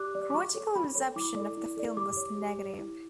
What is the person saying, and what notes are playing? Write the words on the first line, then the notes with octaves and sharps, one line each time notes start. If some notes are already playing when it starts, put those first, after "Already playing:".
Critical reception of the film was negative.
Already playing: G4 D5 D6 F#6
D5
D6
F#4 C#6
A4 C#5
F#4 B5
A4 C#5
E4 D6
A4 D5
E4
A4 D5
G4 D6
C#5
G4
C#5
E4